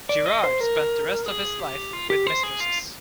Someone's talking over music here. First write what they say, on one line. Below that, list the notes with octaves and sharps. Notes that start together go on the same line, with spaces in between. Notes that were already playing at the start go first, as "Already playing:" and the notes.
Girard spent the rest of his life with mistresses.
D5
D#5
C5
A#4
G#4
G4
F4
G4
C5
G#4
F4